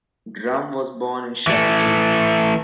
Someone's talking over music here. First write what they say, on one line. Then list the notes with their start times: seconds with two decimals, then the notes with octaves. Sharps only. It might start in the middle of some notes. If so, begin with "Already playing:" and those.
Drum was born in Shepparton.
1.47 E3 A3